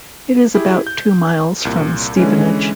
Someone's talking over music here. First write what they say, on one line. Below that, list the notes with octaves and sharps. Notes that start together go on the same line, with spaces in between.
It is about two miles from Stevenage.
E4 G4 G#4
G6
C2 A#2
D3 E3 G#3 C#4